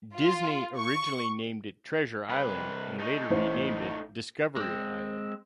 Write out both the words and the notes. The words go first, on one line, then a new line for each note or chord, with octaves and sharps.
Disney originally named it "Treasure Island", and later renamed it, "Discovery Island".
F4
C#6
C2 B4
A3 D#4
A1 C5
G#3 C4